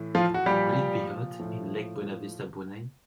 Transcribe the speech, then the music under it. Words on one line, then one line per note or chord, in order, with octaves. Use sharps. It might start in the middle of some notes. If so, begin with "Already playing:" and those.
Will it be hot in Lake Buena Vista Brunei?
Already playing: A2 E3
F3 F4
F#4
A#2 F3 G3 G4
A2 F3